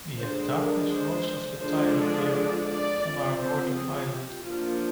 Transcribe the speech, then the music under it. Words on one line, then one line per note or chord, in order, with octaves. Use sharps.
We have darkness most of the time up here, on our northern island.
D3 G#3 D4 C5
A#4
C5
D3 F3 G#3 D4 C5
D5
D5
D5
F3 C4
C5
G#4
G4
F3 A#3 D4 F4